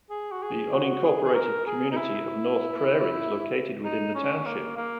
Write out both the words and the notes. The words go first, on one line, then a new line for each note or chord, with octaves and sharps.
The unincorporated community of North Prairie is located within the township.
G#4
F#4
G#4
F#4
G#4
G#4
A#4
G#4
D#4
E4
D#4
C#4
A#3
A#3